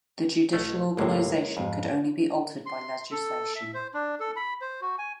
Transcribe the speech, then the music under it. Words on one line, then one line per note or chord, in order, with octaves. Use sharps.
The judicial organization could only be altered by legislation.
B1 A3 C#4
G1 A2 C3 G#3 A#3 C#4
F2 G#2
C6
A4
E5
C5
D4
A4
B5
C5
F#4
G#5